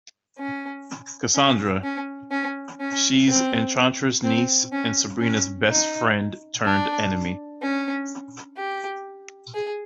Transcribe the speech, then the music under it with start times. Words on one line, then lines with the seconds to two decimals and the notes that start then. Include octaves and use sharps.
Cassandra: She's Enchantra's niece and Sabrina's best friend-turned-enemy.
0.39 C#4
1.35 C#4
1.84 C#4
2.31 C#4
2.80 C#4
3.28 C4
4.24 C4
4.72 C#4
5.20 C#4
5.69 D#4
6.65 D4
7.62 C#4
8.57 G4
9.54 G#4